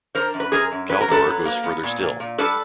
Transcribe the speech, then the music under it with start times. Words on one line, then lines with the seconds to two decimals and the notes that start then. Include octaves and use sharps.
Kaldor goes further still.
0.15 D3 A#4 C5
0.34 F#2
0.40 B4
0.52 F#2 G#4 A#4
0.72 F#2
0.89 F#3 B4
1.01 A#4
1.08 F#2 A4 B4
1.27 F#3
1.45 A#3
1.64 B3
1.83 A#2
2.01 A#2
2.20 A#2
2.38 G3 A4 B4